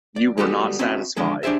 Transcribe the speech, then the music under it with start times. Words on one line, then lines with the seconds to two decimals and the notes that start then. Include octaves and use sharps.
You were not satisfied.
0.16 D5
0.38 G3 G#3 B3 F#4 G4 A4
0.79 C4 C#4 F#4 B4 D#5 E5
1.16 D3 F3 G#3 A4
1.43 D4 G4 G#4 C5 E5